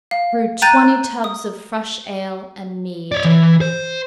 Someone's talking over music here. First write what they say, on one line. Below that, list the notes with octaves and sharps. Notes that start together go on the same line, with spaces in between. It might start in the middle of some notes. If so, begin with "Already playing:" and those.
Brew twenty tubs of fresh ale and mead.
F5
G5 A#5 F#6 G6 A6 D#7
D#6
C#5 D5
E3
C5